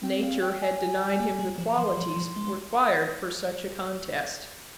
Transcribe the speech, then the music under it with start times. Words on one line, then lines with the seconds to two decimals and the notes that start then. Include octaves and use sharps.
Nature had denied him the qualities required for such a contest.
0.03 C4 G5
0.23 F5
0.42 G5
0.61 G#5
1.20 A#3
1.39 G3
1.58 F3
1.68 A#5
1.78 F3 C6
1.97 F3
2.17 F3
2.36 G#3